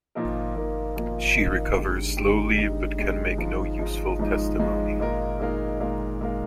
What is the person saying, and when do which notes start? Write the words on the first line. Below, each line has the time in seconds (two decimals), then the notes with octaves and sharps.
She recovers slowly but can make no useful testimony.
0.15 A#2 F3 A#3 D#4 A#4
0.56 A#2 F3 A#3 D#4 A#4
0.96 A#2 F3 A#3 D#4 A#4
1.36 A#2 F3 A#3 D#4 A#4
1.77 D3 G#3 D#4 G4
2.17 D3 G#3 D#4 G4
2.58 D3 G#3 D#4 G4
2.98 D3 G#3 D#4 G4
3.38 G#2 F3 G#3 D#4
3.78 G#2 F3 G#3 D#4
4.19 G#2 F3 G#3 D#4
4.59 G#2 F3 G#3 D#4
5.00 A#2 G#3 D#4 A#4 F5
5.40 A#2 G#3 D#4 A#4 F5
5.80 A#2 G#3 D#4 A#4 F5
6.21 A#2 G#3 D#4 A#4 F5